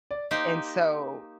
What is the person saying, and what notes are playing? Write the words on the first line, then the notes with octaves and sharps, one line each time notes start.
And so
D5
A#3 D#4 G4 C5 D#5